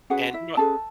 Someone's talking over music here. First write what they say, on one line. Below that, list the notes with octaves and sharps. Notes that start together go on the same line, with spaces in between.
And, you know what?
C#4 F#4 G#4 B4 F#5
E4 E5
C#4 G#4 A4 B4 A5